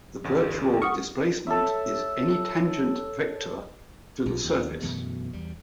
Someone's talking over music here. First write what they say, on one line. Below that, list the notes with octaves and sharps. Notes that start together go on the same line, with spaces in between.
The virtual displacement is any tangent vector to the surface.
A1 D2
F#5 C#6 D#6 F6
A4 C#5 E5
B1 B2
D#2
F#2 B2 E3 A3
E2 G3